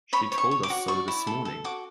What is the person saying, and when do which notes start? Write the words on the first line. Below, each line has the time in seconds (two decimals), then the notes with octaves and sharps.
She told us so this morning.
0.13 C#5 B5
0.32 C#5
0.38 C#6
0.51 C#5
0.63 D6
0.70 F#4
0.88 D5 C#6
1.08 E4
1.27 A4
1.45 A4
1.64 F#4 D6